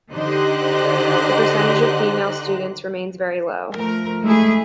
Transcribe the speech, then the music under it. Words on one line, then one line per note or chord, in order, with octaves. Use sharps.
The percentage of female students remains very low.
D3 D#4 G4 C5 D#5 F#6
F3 A3 A#4
G#3 A3 E4 G#4